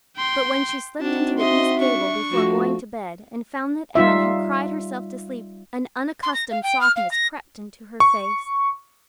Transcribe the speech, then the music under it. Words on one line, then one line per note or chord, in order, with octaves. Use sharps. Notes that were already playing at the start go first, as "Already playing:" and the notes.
But when she slipped into the east gable before going to bed and found that Anne had cried herself to sleep an unaccustomed softness crept into her face.
G5 C6
C4 D4 D#4 F#4 A5
D#5 E5 C6
D4 C#6
F3 A3 F#4
G3 D#4 F4 E5
C6
A#6
F5
G5
F6
F5
A#6
C#6